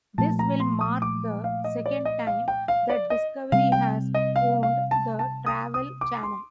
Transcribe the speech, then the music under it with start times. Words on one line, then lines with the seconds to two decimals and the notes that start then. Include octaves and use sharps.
This will mark the second time that Discovery has owned the Travel Channel.
0.18 A#2 F3 A3 A5
0.39 A#5
0.60 C6
0.81 D#6
1.02 D6
1.44 F5
1.64 D#5
1.86 D5
2.05 D#5
2.27 F5
2.48 G5
2.68 F5
2.90 D5
3.10 D#5
3.52 C3 G3 C4 F5
3.72 G5
4.14 D#5
4.36 F5
4.63 F5
4.91 A5
5.19 A5
5.46 D#6
5.74 D#6
6.01 D6
6.23 C6